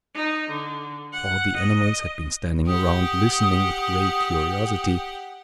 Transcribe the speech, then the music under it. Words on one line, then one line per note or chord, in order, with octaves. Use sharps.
All the animals had been standing around listening with great curiosity.
D#4
D3
F#5
D#5
G4 F#5 D#6